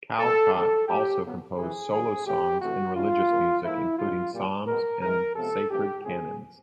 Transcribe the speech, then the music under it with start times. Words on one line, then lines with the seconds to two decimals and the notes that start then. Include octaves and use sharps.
Callcott also composed solo songs and religious music including psalms and sacred canons.
0.18 A2 E3 G3 A#3 A4
0.53 F#2 D#3 G#3 B3 A4
0.87 A2 F3 A3 G4
1.22 E2 C#3 F#3 B3
1.56 F2 C3 E3 G#4
1.91 G2 D#3 F#3 A#3 G#4
2.25 A2 E3 A3 C4 G4
2.59 F2 C3 E3 A3 C4 F#4
2.94 F#2 D#3 G3 F4
3.29 F#2 C#3 F3 A#3
3.63 G#2 F3 A#3 E4
3.98 A2 F3 G#3 F4
4.32 A#2 G3 A#3
4.66 B2 G#3 B3 A#4
5.01 G#2 E3 G#3 A#4
5.35 C3 F3 G#3 B3 A4
5.70 G2 E3 A3 C4 G4
6.04 F2 C#3 F3 A3 C4 G#4